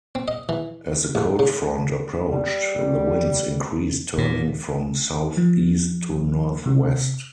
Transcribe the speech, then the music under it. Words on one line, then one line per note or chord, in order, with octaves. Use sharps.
As the cold front approached, the winds increased turning from southeast to northwest.
C4
D#5
E3
A1
C#3
G3
A#2
F3
C3